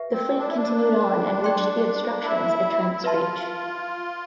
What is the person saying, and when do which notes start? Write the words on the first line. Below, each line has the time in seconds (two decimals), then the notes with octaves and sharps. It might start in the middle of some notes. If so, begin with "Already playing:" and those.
The fleet continued on and reached the obstructions at Trent's Reach.
Already playing: G4 B4 E5
0.12 C4
0.39 D4
0.48 E4
0.57 D4
1.44 G4 D5 G5 C6
2.24 E4
2.92 E4
3.03 F4 B4 E5 A5 C6